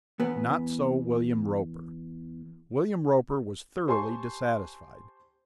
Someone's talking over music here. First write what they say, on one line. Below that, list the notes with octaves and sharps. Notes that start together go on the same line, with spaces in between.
Not so William Roper; William Roper was thoroughly dissatisfied.
E2 B3
G4 C5 G#5 A5 C6 C#6